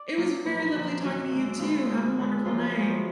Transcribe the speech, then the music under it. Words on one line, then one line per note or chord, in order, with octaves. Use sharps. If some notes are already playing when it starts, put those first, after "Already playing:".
It was very lovely talking to you too. Have a wonderful night.
Already playing: D5
B2 F#3 A#3
A#2 F3 A#3 B4
A#4
F#2 D3 F3
D#2 D#3 F#3 A#3 F#4
D#2 D3 G#3
D2 D3 G#3 B3 F4
B2 G#3 B3
D#2 D3 G#3
F#2 F3 B3 F4
F4
F#2 F3 G#3 B3